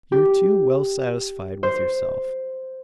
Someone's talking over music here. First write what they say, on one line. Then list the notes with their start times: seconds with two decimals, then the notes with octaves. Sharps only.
You're too well satisfied with yourself.
0.12 G4
1.63 C5